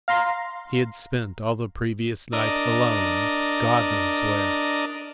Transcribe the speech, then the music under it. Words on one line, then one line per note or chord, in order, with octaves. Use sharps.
He had spent all the previous night alone, God knows where.
F5 A#5 C6
D4 A#4 D#5